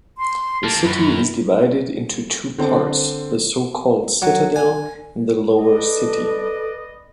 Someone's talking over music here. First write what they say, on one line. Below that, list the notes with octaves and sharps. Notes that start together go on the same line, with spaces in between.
The city is divided into two parts, the so-called Citadel and the Lower City.
C6
A#3 D#4 A5
F#2 B5
D3 C4
F#3
G#5
A4 B4 D5 D#5